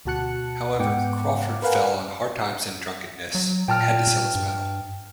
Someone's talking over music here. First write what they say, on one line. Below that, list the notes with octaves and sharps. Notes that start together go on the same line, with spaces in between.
However, Crawford fell on hard times and drunkenness, and had to sell his medal.
D2 B2 F#4 A5 F#6 C#7
G#2 B3 F#5 G5 D6 C#7
A#4 B4 F5 F#5 G#5
F#3
A#2 G5 A5 F6
G2